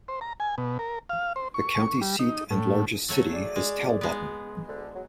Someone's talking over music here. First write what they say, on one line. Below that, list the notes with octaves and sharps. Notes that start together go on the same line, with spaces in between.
The county seat and largest city is Talbotton.
C5
A#5
G#5
B2
A#4
F5
C5
C#6
G3
D#4
A2
F#3 A3 C#5
G#4 D5
G#3
G#3 B3
D2 D3
F#3